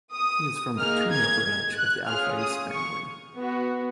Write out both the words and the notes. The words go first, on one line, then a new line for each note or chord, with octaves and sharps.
He is from the Tumah branch of the Al Faiz family.
D#6
A#3 D#4 G#4 F6
G#6
F#6
C#4 F4 G#4 F6
D#6
C#6
B3 F#4